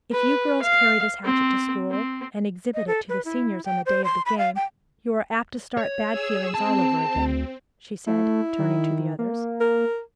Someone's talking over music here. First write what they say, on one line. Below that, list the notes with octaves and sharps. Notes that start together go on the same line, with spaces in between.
"If you girls carry this hatchet to school and exhibit it to the seniors on the day of the game you are apt to start bad feeling all over again," she said, turning to the others.
B4
F5
C4
C4
D#5
A4
B4
E4
G5
C5
C6
B5
F5
G5
C#5
G#4 E6
C4 A5
D2
A3 E4
D#3
A#3
A#4